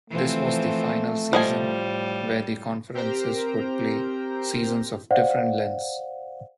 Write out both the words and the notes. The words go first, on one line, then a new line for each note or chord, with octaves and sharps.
This was the final season where the conferences would play seasons of different lengths.
E3 F3 A3 C4
A2 F3 G3 D#5 G#5
C4 G4 A#4 C5 G5 A#5
C5 D5 F5 F#5